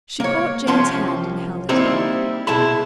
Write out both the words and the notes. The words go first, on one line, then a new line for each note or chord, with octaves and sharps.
She caught Jane's hand and held it hard.
A#3 C#5
C2 F3 C#4 G4 C6
G3 A#3 C4 D#4 E4 G4
B2 G#3 E4 A5 B5